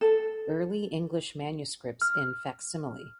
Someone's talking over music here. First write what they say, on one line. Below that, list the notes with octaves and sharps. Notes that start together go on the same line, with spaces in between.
Early English Manuscripts in Facsimile.
A4
F6